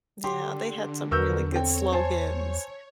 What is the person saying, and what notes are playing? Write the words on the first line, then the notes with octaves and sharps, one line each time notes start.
Yeah, they had some really good slogans
D3 G4 C6
E2 F#3 A#4 B4 C#6 E6 G6
C4 A4 C#5 G5
C5 G#5 A5